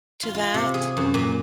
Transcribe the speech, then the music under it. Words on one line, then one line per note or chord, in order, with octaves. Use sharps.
to that.
F4
F4
C3
G#4
F#2
A#2